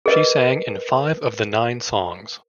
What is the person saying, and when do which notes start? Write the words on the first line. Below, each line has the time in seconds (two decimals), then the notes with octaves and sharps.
She sang in five of the nine songs.
0.06 G#4 A#4 B4 D#5